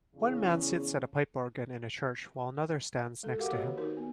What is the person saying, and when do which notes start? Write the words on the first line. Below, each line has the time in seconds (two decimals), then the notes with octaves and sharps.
One man sits at a pipe organ in a church while another stands next to him.
0.16 E2 C#3
3.23 G#3 A4
3.38 F#4 G4 A#4 F5 F#5 D6
3.50 A#3 F#4 G4 C#5 D#5
3.63 D#3
3.77 D#4 F#4 A#4 C5
3.97 B3